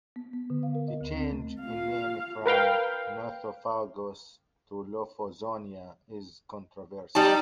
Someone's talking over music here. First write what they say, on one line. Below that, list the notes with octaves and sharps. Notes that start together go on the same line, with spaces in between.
The change in name from "Nothofagus" to "Lophozonia" is controversial.
B3
B3
D3
F5
A#4
D#5
D2
C4
A3
F4 F5
A#4 B4 F5 G5
G3 D#4 A5